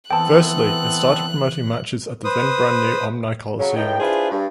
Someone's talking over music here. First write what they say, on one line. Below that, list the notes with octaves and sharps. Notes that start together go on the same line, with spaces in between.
Firstly, it started promoting matches at the then-brand-new Omni Coliseum.
E3 B3 C4 A4 G5 A5 F#6
B4 C5 D#6
C#3 F#3
C#2 A2 D#4 G5
D4 E4 F4 G#4 B4 C5
G2